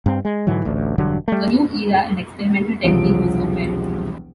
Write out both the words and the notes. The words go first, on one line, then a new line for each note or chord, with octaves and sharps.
A new era in experimental technique was opened.
G2 C4
G#3
G#2 D3 E3 F#3
A1 D2
E1 G2 D3 F#3
G3 A3
E1 C2 F3 F#3 D7